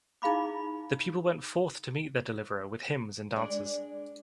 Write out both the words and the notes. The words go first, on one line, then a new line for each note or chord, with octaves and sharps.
The people went forth to meet their deliverer with hymns and dances.
D#4 E4 G#4 F5 B5 D6
G#3 D4 D5